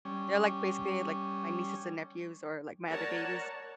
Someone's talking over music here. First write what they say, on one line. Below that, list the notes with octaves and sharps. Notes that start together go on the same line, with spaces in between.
they're, like, basically, like, my nieces and nephews or, like, my other babies.
G3 C#4
A#4 C#5 D5 F#5 A5 A#5